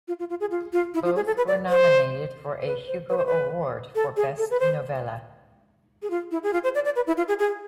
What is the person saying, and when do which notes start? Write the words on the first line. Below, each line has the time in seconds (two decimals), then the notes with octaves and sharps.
Both were nominated for a Hugo Award for Best Novella.
0.08 F4
0.19 F4
0.30 F4
0.40 G#4
0.51 F4
0.73 F4
0.94 E4
1.05 F4
1.16 G#4
1.27 A4
1.37 B4
1.48 D5
1.69 C5
2.61 C5
2.66 B4
2.88 C5
3.10 B4
3.17 C5
3.26 B4
3.95 A4
4.17 G#4
4.38 A4
4.51 B4
4.60 C5
6.02 G#4
6.10 F4
6.31 E4
6.43 G#4
6.53 F4
6.64 C5
6.75 D5
6.85 D5
6.96 B4
7.07 E4
7.17 F4
7.28 G#4
7.39 G#4